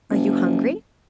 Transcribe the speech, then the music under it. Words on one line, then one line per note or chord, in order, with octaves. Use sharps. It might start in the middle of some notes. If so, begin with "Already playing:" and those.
"Are you hungry?"
F#1